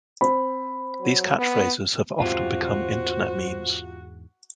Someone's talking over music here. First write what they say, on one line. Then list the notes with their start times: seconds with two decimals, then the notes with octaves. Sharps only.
These catchphrases have often become internet memes.
0.21 C4 B5
1.01 F#3
1.38 B3
2.20 E2 G#2 C3 F4 F#4 C5